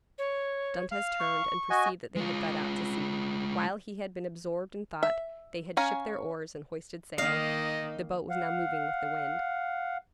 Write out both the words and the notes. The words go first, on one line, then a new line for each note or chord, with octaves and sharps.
Dantes turned and perceived that they had got out to sea. While he had been absorbed in thought, they had shipped their oars and hoisted sail; the boat was now moving with the wind.
C#5
F5
C#6
F#4 D#5 G#5
G#3 F4
E5
C#4 C#5 F5 G#5 A#5
D#3 A#3 D#4 D#5 F5
F5 F#5